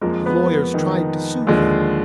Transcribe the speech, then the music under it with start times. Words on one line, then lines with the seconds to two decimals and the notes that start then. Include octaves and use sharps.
The lawyers tried to soothe him.
0.01 F2 F3 G#3 A#3 A#4
0.26 B3 B4
0.74 D#3 D#4
1.47 D#2 D3 F3 G#3